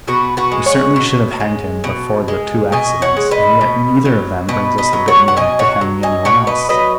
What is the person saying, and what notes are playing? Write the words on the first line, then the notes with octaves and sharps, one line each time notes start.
"We certainly should have hanged him but for the two accidents, and yet neither of them brings us a bit nearer to hanging any one else."
B2 F#4 B4
F#4 B4
G#3
C#5 F#5
B2
G#3
B2
G#3
B2 D#5 G#5
C#5 F#5
G#3
B4 D#5
B2
F#3
B2 B4 D#5
B4 D#5
F#3
C#5 F#5
F#5
B2 D#5 G#5
C#5 F#5
F#3
D#5 G#5
B2 C#5 F#5
B4 D#5
F#3 B4 D#5